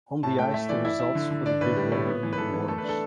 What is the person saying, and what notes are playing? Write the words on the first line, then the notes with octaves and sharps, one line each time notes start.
On the ice the results for the Big Red were even worse.
A2 A5
A3 G5
A3 E5
E3 D5
E4
E4
D3
D3
D4 D5
A2 B4
G3
A2
B3
E3
B4
E3 A4
E3
A3 A4
B4
D4
A4